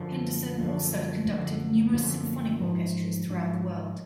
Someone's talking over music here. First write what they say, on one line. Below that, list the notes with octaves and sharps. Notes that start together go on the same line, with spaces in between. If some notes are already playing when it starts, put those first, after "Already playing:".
Henderson also conducted numerous symphonic orchestras throughout the world.
Already playing: F#2 D3 F3
F#2 D3 F3
F#2 D3 F3
F#2 D3 F3
G#2 F3 G#3 D4
G#2 F3 G#3 D4